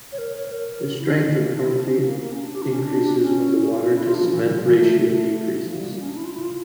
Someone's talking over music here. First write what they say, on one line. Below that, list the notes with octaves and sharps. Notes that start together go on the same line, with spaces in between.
The strength of concrete increases when the water to cement ratio decreases.
C#5
A#4
C#5
A#4
E4
D4
C#4
A#3
A3
A#3
D4
E4
D4
C#4
A#3
A#3
C#4
D4
G4
D4
C#4
D4
C#4
C#4
E4
F4
D4
F3
E3
F3
G3
F3
E3
A3
A#3
E3
F3
G3
A#3
C#4
D4
E4
F4
E4
F4